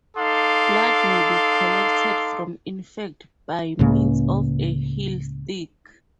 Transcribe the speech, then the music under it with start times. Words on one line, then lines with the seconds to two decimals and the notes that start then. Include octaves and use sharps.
Blood may be collected from infants by means of a heel stick.
0.17 D#4 A4 F5 C6 D6
3.79 C#2 A2 C#3 A#3